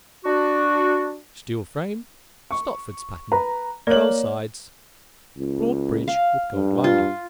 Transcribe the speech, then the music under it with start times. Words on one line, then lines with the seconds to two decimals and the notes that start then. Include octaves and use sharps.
Steel frame, Stopford's pattern, curl sides, broad bridge with gold lining.
0.25 D4 F#4
2.51 C#6
3.32 B4 A#5
3.87 A#3 C#5 D5 F#7
5.38 C#2
6.08 F5
6.54 G2
6.84 F4